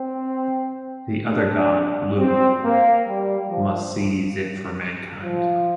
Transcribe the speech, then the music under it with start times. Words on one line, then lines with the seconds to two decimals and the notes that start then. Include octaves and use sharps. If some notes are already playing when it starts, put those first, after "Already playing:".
The other god - Lugh - must seize it for mankind.
Already playing: C4
1.32 D4
2.18 C4
2.63 A#3
3.06 G3
3.49 F3
5.23 F3